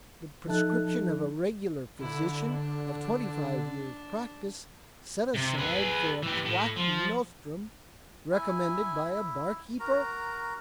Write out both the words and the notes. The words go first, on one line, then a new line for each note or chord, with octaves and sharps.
The prescription of a regular physician, of twenty-five years' practice, set aside for a quack nostrum, recommended by a bar-keeper!
F3 D#4 A4 E5 A5 F#6
D3 E4
D4
C3
G#4 B4
E3 G4
A2
F3
E4 G#5
E4
F#4 A#4 A#5